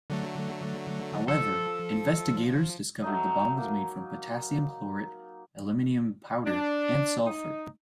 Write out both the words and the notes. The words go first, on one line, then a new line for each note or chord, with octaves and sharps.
However, investigators discovered the bomb was made from potassium chlorate, aluminium powder, and sulfur.
D3 F#3 A3
F3 A4
F#3 A3 D#4 D#5
A#3
D4
D#4